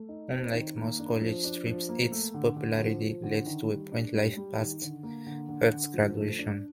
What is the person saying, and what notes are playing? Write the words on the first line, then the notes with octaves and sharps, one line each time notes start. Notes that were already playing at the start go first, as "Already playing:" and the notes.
Unlike most college strips, its popularity led to a print life past Hurt's graduation.
Already playing: A3
D#4
C4
D#3
A#3
D4
F3
D4
F3
A#3
A3
D3
D3
F3
F3
D3
D#3
G3
D4
G3
G3
D#3
D3
A#3
D3
D3
D3
F3
A3
D4